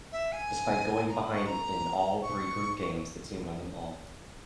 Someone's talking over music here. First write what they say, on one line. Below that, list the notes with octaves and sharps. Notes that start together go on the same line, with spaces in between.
Despite going behind in all three group games, the team won them all.
E5
G#5
A#5
B5
C#6
A#5
C#6